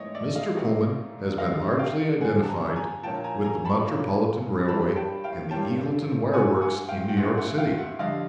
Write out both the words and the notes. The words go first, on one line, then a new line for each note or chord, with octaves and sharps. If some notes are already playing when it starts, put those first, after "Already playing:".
Mr. Pullman has been largely identified with the Metropolitan Railway and the Eagleton Wire Works in New York city.
Already playing: G#2 E3 A3 C4 C#5 D#5
D5 E5
D#5 F5
G#2 E3 A3 C4
D3 G3 C4 D#5 F5
F5 G5
D3 G3 C4 F#5 G#5
A5
G#5 A#5
G#5 A#5
A#2 F3 A#3 C#4 G5 A5
G#5 A#5
G#5 A#5
A5 B5
A#2 F3 A#3 C#4
G2 E3 G3 A#3 C#4 A5 B5
G5 A5
F5 G5
G2 E3 G3 A#3 C#4 G5 A5
G2 E3 G#3 C4 F#5 G#5
F#5 G#5
F5 G5
G5
G2 E3 G#3 C4 E5 F#5
E5 F#5
F5 G5
E5 F#5
F2 D3 G3 D#5 F5